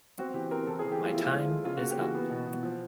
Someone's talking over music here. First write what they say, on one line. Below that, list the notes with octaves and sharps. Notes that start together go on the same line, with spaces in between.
My time is up.
C4 F#4
E3 G4
C4 A#4
E3 A4
G#4
E3
G4
A3 F4
F3 E4
F4
G#3
F3
C#3 F4
F#4
A#3
G4
E3 F#4
B3
B2
B2
F3